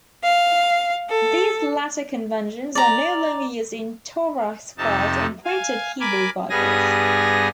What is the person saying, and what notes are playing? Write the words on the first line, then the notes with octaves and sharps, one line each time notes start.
These latter conventions are no longer used in Torah scrolls and printed Hebrew Bibles.
F5
A4
D5 A#5
F2 C3 D#4 A5
F5 G#5
A#4 G#5 B5 D6
G2 G3 B3 G#4 G#5 A#6